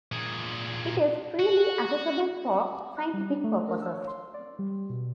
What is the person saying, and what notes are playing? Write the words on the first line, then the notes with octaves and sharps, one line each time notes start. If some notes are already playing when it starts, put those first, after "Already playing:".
It is freely accessible for scientific purposes.
A#2 G#4
F#4
F#6
G3
D4
A3
A#4
E6
C#5
C6
D5
G3
B2